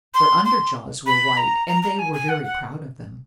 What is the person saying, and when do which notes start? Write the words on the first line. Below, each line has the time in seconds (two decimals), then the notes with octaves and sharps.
Their under jaws were white, and they were very proud of them.
0.14 C6
0.45 C6
1.06 B5
1.37 A#5
1.68 A#5
1.83 A#5
1.99 G#5
2.13 G#5
2.29 F#5
2.44 F#5